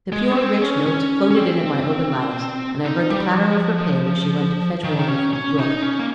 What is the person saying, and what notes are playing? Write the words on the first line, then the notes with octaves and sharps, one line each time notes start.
The pure, rich notes floated in at my open lattice, and I heard the clatter of her pail as she went to fetch water from the brook.
G#3
C#4
C4
C#4
C#4
C#4
C4
D#4
G3
F3
D#3
D#4
C#4
C#4
D#4
C#4
A#3